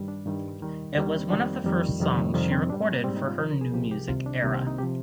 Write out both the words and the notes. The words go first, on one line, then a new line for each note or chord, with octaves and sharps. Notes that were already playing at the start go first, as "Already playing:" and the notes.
It was one of the first songs she recorded for her "new music era".
Already playing: G2 D#3 G3
D4
G2 D#3 G3
D#2 D#3 G3
D#2 D#3 G3 D4
A#3
C4
F2 D#3 G3 D4
C4
A#3
F2 D#3 G3
F2 C3 D#3 G3
F2 C3 D#3 G3 C4
C4
G#2 G3 D4
C4
A#3
G#2 G3 C4
D#4
F4
C2 C3 F3 C5
A#4
G#4
C2 C3 F3 G4
G4
C2 C3 D#3 F4
D4
C2 C3 D#3 A#3
C4
D#4
C3 F3 G4